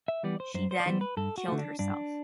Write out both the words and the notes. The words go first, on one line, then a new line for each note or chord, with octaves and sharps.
She then killed herself.
E5
E3 G3 B3 D5
C5
F#2 C5
C5
D5
E3 G3 B3 C5
B4
G2 A4
F#4
D3 A3
D4
G2 D4